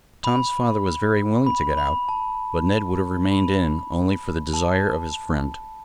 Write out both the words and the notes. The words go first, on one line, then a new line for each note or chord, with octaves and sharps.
Tom's father was very willing to get out, but Ned would have remained in, only for the desire of his friend.
B5
B5
B5
A5
B5
A5